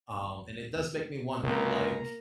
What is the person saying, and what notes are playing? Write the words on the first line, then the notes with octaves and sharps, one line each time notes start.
Um, and it does make me wonder, like,
C#2 C3 A#3 A#5